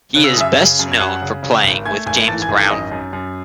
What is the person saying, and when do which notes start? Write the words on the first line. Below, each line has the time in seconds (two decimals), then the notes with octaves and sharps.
He is best known for playing with James Brown.
0.15 C#3 F#6
0.24 E6
0.32 D#6
0.37 F#2 E5 E6
0.58 C#3
0.79 F#2
0.92 G#6
1.00 F#2 F#5 F#6
1.22 C#3
1.43 C#3
1.64 G#1
1.86 A3 G#5 G#6
2.06 G#1 G#5 G#6
2.27 E3 A5 A6
2.42 G#5 G#6
2.49 G#1
2.56 A4 A5
2.71 F#2 D#5 D#6
2.92 F#2
3.13 F#2